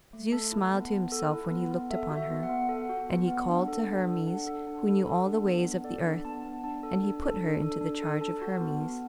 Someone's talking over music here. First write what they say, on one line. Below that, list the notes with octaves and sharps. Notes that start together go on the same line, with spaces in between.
Zeus smiled to himself when he looked upon her, and he called to Hermes who knew all the ways of the earth, and he put her into the charge of Hermes.
A3
A4 A5
E4
B3
B3
A4
E4
B3
B3
A4 E5
F#4
E5
B3
F#5
B3
A4
F#4
B3
B3
D4
A4
D4
A4
D4 F#5
A4
D4
A4
A4
D4
B3
B3
A4 D5
D4
B3 A5
B3
D4 A5
A4
D4
A4
D4
A4
D4
A4
A4 A5
F#4
B3
B3